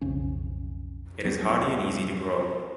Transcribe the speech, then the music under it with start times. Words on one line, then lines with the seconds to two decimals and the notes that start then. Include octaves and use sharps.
It is hardy and easy to grow.
0.01 B1 F2 C#3 C#4
1.24 D#2 F#3 B3